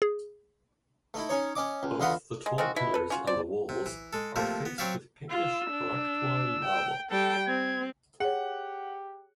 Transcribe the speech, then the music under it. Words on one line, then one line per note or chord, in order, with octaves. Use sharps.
Both the tall pillars and walls are faced with pinkish Oraktuoy marble.
G#4
A3 D#4 E4
C#4 D#4 C#5
C#4 D#5 D6
C#2
E2 D3 F4 D#5 F#5 B5
G#3
G#3 C4 F4 F#4
B2 E4 B5
A4 B4
C#4 F4 F#4
C5 D5
C3
E3
G#3 A4
C3 F3 A3 A#3
B3
F#3 C4 C#5 D5 E5 F5
F4 E6
D4
G5
G3 A4 G5
C4 G#6
G4 G#4 C#5 F#5